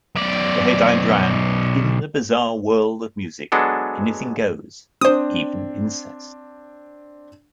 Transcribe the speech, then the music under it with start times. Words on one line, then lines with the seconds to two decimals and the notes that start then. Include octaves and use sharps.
The headline ran, In the bizarre world of music... anything goes - even incest.
0.16 B1 D5
3.52 F#3 G#3 B3 D4 A4
5.01 C4 D4 C5 D#6